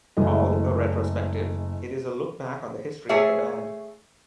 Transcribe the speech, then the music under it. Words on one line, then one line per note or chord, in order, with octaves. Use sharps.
Called "A Retrospective", it is a look back on the history of the band.
F#1 E3 G#3 A3 D#5
A3 G#4 C#5 E5 F5